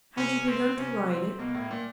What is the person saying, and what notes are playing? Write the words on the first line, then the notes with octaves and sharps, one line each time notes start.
Had you begun to write it?
C3 C#4
C4
C3 C#4
C4
B2 A#3
A2
A#2